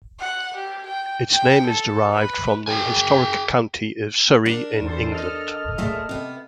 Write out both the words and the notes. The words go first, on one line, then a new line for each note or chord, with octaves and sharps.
Its name is derived from the historic county of Surrey in England.
F#5
G4
G5
G5
A4
B4
G#4 G5 G#5
D4 A#4
E2 A4 C5
A4 D#5 F6
A#2 G#3 A3
C3 B3